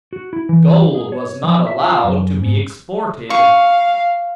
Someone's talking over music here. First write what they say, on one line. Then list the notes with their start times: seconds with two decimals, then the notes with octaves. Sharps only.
Gold was not allowed to be exported.
0.13 F#4
0.33 E4
0.49 E3
0.95 G#4
1.12 C#5
1.44 F3
1.67 E5
1.84 F4
2.04 F#2
2.42 G#2
3.30 F5 C#6